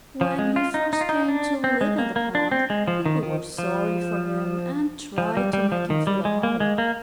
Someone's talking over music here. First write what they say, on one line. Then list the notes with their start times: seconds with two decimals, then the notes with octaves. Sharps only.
When he first came to live in the pond, people were sorry for him, and tried to make him feel at home.
0.21 F3
0.39 G#3
0.56 F4
0.74 D#4
0.93 D#4
1.01 F4
1.09 D#4
1.28 D4
1.64 C4
1.81 G#3
1.99 A#3
2.16 A#3
2.35 D4
2.51 C4
2.70 G#3
2.88 F3
3.06 D#3
3.23 D#3
3.58 F3
5.18 F3
5.37 G3
5.53 G3
5.72 F3
5.90 D#3
6.07 G3
6.25 G#3
6.43 A#3
6.60 G#3
6.78 A#3